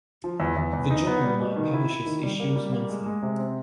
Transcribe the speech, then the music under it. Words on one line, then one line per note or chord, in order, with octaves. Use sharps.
The journal now publishes issues monthly.
F3
E2
E2
E2
D#4
B3
G3
B2
D#3
E4
E4
D#3
G3
A#3
G3
A#3
G#3
G#3
C3
C4